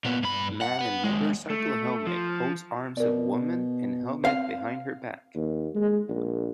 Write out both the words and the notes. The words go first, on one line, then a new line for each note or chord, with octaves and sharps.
Man in motorcycle helmet holds arms of woman in helmet behind her back.
A#2 B3
G2 B5
F#5
B4 F#5
D#2 G#3
A3
F3
B2 A#4 D5
C4 F5
D#2
G#3
A#1